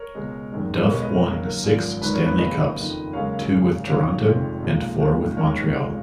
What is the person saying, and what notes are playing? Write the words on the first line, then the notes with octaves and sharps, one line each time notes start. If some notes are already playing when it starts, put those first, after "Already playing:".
Duff won six Stanley Cups, two with Toronto and four with Montreal.
Already playing: A#4 C#5
C#2 B2 G#3
G#1 F#2 D#3 G#3
B4
B1 B2 G#3 A#4 C#5
B4 D#5
A#4 C#5
D#2 C#3 F#3 A#4
A#4
G#1 F#2 F3
G#1 G#2 F#3 B4
A#4 C#5
B4
D#2 C#3 F#3 B4 D#5
F#1 F2 D#3
F#1 F#2 C#3 G#3 C#5 F5
G#1 F#2 C#3
F1 D#2 D#3 F#3 C#5 F5
F1 F2 D#3 G#3
B1 A#2 F3 G#3
D#2 C#3 F3 G#3
D#2 D#3 G#3 A#4 C#5
F1 F2 C#3 F3 G#3